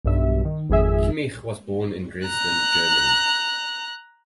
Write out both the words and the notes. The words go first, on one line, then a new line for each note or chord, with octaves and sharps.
Kimmich was born in Dresden, Germany.
B1 G2 E5
D#3
G#1 F2 G#4 E5
A#5 F#6